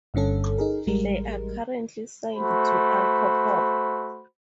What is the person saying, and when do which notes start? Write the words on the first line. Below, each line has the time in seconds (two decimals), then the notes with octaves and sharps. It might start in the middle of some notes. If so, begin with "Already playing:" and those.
They are currently signed to Alcopop!
0.14 G1 G2 D3 C#4 A4
0.58 D#4 G#4 A#4
0.87 A1 G3 G#3 A#4
2.34 A3 F#4 C5 B5